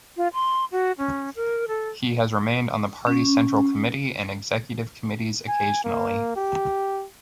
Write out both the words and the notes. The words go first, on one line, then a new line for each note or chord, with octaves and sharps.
He has remained on the party's central committee and executive committees occasionally.
F4
C6
F#4
C#4
A#4
A4
C#4
G#5
A#3
G4